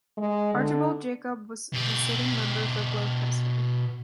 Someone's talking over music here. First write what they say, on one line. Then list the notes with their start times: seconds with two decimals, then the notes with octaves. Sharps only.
Archibald Jacob was the sitting member for Gloucester.
0.18 G#3
0.54 D3
1.74 B2 G4